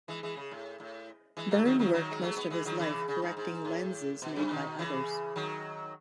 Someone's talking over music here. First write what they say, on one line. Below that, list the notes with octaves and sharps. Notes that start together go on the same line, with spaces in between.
Byrne worked most of his life correcting lenses made by others.
E3 G#3
E3 G#3
C#3
A2
A2
E3 G#3
F#3 A3
D#3 F#3
D#3 F#3
D#3 F#3
G#3
F#3 A3
G#3 B3
E3 G#3
D#3 F#3
C#3 E3
C#3
G#2
G#2
A2
B2
F#2
B2 D#3
C#3 E3
D#3 F#3